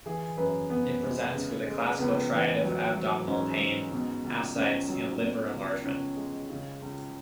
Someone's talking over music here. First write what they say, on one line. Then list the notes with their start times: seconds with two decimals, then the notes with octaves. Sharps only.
It presents with a "classical triad" of abdominal pain, ascites, and liver enlargement.
0.06 E3 G#4
0.37 F#2 B4
0.70 F#2 B3
1.02 G#3
1.34 C#3
1.67 G#3
1.98 C#2 B3
2.31 E3
2.63 F#3
2.95 F#3
3.27 G#2 C#4
3.60 G#2
3.92 B2
4.24 C#2
4.56 C#2 C#4
4.88 F#3
5.21 B2
5.53 C#2
5.84 C#2 C#4
6.17 G#3
6.49 C#3
6.82 C#2